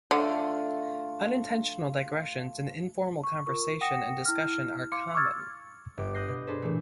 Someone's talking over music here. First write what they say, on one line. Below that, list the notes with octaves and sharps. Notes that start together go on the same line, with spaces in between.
Unintentional digressions in informal conversation and discussion are common.
D3 A3 F4
C#6
F4 A#4 C#6
F#5 G5 D#6 A#6 C#7 E7
E4 F6
F5 C6 D6 C#7
C#6 D6 E6 F6 G#6 A6
G1 D6
D6 D#6 F#6 G6 A#6 C7
B2
D4 G#4 A4 B4 C5
A#2 E3 A3